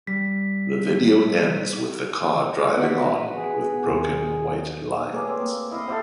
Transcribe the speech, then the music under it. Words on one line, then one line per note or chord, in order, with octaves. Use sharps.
The video ends with the car driving on with broken white lines.
G3 B6
B3 F#4 B6
G#4
D#2
A3 A#3 C#4 G4 G#4 A#4 B4 D6
C4
A#3
C4 E4 D#5 F5 D#6
C4 G4 A4 C5 E5 F5